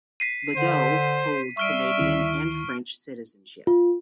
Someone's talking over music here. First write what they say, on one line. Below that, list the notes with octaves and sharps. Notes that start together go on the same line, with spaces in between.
Legault holds Canadian and French citizenship.
B6 C7 D#7
D3 C5
G3 E5 C#6 F6 D7
D2 D#3 E4
F4